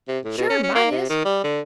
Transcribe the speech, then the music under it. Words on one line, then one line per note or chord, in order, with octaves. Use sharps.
"Sure; mine is."
C3
A2
B2
C#4
C#4
A#3
C3
D#3
G3
D3